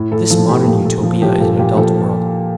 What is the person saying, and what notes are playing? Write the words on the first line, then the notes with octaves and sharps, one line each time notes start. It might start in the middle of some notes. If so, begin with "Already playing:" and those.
This modern Utopia is an adult world.
Already playing: A2
A2 A4
F3 A4
F3 G4
A#2 G4
A#2 A4
F3
F3 G4
A#2 A4
A#2 G4
F3 A4